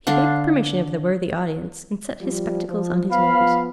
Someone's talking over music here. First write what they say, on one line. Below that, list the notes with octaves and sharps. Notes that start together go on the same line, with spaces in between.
He begged permission of the worthy audience, and set his spectacles on his nose.
D3 D4 F5
F3 G3
F3
F3 B3 F5 B5